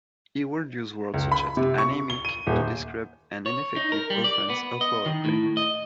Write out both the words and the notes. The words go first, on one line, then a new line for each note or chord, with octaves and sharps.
He would use words such as "anemic" to describe an ineffective offence or powerplay.
C#2
B5
C3
C#6
G7
D#7
D#1
C#5
D#4
A#4
G3
D5
B3
D#5
D#3
A2
D#5